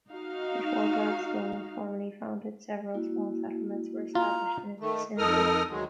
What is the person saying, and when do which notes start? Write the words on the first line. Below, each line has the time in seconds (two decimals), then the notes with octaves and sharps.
Before Gladstone was formally founded, several small settlements were established in its vicinity.
0.10 D#4 F#4 F5
2.94 A#3 E4 F#4
4.15 F4 A#5
4.80 D#3 A3
5.18 F2 D#4 A4 A#4 D#6 F6
5.68 D2 D#3 F#3 G#3